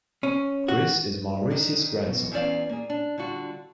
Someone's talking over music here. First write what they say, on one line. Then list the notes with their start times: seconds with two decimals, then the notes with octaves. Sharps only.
Chris is Maurice's grandson.
0.23 C#4
0.68 F#4
1.50 D#3 D4 D#4
2.07 B2
2.31 E2 C#4 C5 D5 F5
2.69 A#3 G#4
2.90 D4
3.18 D3 G3 F4 F#4